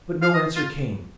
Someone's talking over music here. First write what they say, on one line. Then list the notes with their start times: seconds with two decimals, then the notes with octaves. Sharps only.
But no answer came.
0.22 F5
0.34 D#5
0.56 F4